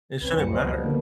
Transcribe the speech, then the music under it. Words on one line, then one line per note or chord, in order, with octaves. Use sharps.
it shouldn't matter.
C2 C4 C#4 B4
F#2 B2 F3 G3 C#7
C#2 C5 D#5
D3 A#3 B3